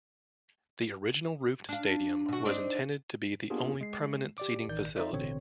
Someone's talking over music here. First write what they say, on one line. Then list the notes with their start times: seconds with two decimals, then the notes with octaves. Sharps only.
The original roofed stadium was intended to be the only permanent seating facility.
1.69 D4 F5
2.29 B2 F#4
2.45 C4 D4 D#4
3.50 A#3 B3 D4 F4 G4 G#4
3.81 G#3 C7
4.38 G4 D5 D6
4.69 A1 D#3 D5 G6
4.96 D#4 F4 A4 C5 D5 E5
5.12 A1 B2 D3 C4 C#5